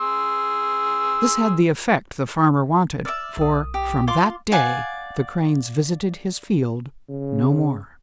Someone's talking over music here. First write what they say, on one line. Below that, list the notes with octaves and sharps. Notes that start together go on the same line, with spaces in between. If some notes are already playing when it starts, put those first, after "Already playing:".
This had the effect the Farmer wanted, for from that day the Cranes visited his field no more.
G#4 C6 E6
D5 E5 D6 E6 F6
B1 D#6
G4
F4 C6 D6
D5 F5 F#5 G#5
C#3